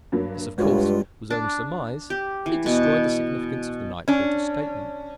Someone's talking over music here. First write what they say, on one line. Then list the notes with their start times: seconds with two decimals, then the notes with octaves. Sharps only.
This, of course, was only surmise, but it destroyed the significance of the night porter's statement.
0.12 G2 F#3 A#3
0.58 G2 G#3 F4 F#4 B4 C#5
1.30 D4
2.10 G4
2.46 E3
2.66 B2
4.08 C#4 D4